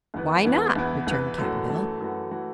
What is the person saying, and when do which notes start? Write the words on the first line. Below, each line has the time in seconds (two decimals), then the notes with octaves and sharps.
"Why not?" returned Cap'n Bill.
0.14 E2 E3 B3 E4 B4
0.45 E2 E3 B3 E4 B4
0.76 E2 E3 B3 E4 B4
1.07 E2 E3 B3 E4 B4
1.38 F#2 E3 A3 F#4
1.69 F#2 E3 A3 F#4
2.00 F#2 E3 A3 F#4
2.31 E3 A3 F#4